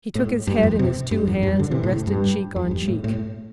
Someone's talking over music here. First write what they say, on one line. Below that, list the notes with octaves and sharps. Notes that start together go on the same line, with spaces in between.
He took his head in his two hands and rested cheek on cheek.
A2
G2
F2
C3
G2
F2
G2
D3
C3
A2
G2
F2
G2
A2
A2